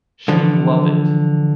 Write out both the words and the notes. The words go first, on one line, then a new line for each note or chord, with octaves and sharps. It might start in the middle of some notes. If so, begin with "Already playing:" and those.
She love it.
D3 E3 F3